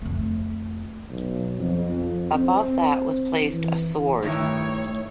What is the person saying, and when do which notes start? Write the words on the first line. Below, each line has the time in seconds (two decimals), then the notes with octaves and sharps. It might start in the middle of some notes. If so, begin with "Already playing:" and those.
Above that was placed a sword.
0.02 F2 A3
1.09 B1
1.59 F2
2.35 C4
3.45 E3
4.22 G2 D#3 A3 E4 C#5